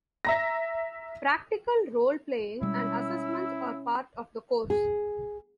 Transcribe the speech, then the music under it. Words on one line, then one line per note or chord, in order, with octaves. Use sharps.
Practical role-playing and assessments are part of the course.
E5 A#5 A#6
B2 G3 G#3 C#4 E4 E6
G#4